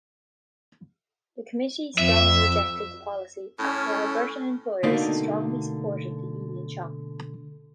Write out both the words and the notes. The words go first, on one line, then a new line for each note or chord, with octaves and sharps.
The committee strongly rejected the policy after Albertan employers strongly supported the union shop.
F2 E5
A2 C#4
B2 D3 A3 A#3 D#4 D5